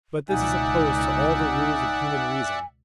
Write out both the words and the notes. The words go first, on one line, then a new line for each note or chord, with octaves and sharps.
But this is opposed to all the rules of human reason.
C#2 B2 D#4 D5 E5 F#5 G#5